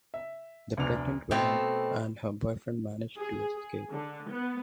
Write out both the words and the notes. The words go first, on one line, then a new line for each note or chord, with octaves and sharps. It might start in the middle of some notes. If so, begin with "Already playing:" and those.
The pregnant woman and her boyfriend managed to escape.
E5
F1 D2 B3 D4 D5 F7
B2 A3 C4
G#4
G#4
D3
B3